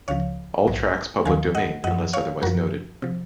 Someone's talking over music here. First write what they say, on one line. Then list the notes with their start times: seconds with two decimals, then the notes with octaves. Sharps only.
All tracks public domain unless otherwise noted.
0.08 C#2 C#3 F3 C#5 F5
0.67 A#1 G#2 F#3
1.25 D#2 D#3 F#3 F5 G#5
1.55 D#5 F#5
1.84 F#2 F3 D#5 F#5
2.13 C#5 F5
2.42 F#2 F3 F#4 A#4
3.02 C3 F3